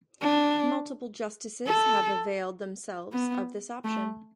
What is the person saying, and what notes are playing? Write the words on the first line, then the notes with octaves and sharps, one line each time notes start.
Multiple Justices have availed themselves of this option.
D4
A4
B3
A3